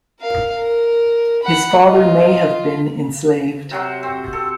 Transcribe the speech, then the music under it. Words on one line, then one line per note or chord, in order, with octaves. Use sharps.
His father may have been enslaved.
A#4 F5
A#4
F#5 B5
F4 D#5
C3 F#3 F#4 C5
C4
A4